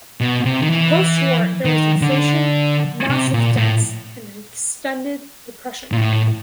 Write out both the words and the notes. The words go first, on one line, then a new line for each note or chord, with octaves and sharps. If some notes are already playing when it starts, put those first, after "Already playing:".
Post-war there was inflation, massive debts and an extended depression.
B2
C3
D#3
E3
D#3
D3
C3
A#2
A2
A#2
A2